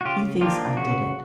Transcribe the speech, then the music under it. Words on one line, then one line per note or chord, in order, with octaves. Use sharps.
He thinks I did it.
F#4
C#3 F4 G4
F3 A#3 D4 F4 G4
C#3 F#4